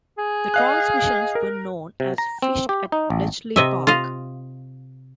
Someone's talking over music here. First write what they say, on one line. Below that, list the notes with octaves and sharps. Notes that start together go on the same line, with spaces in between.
The transmissions were known as Fish at Bletchley Park.
G#4
D#5 F5 F#6
A#4
C3
A#5
C4
G4
D#4
A1
C3 D#5 E5
F4 D#5 F5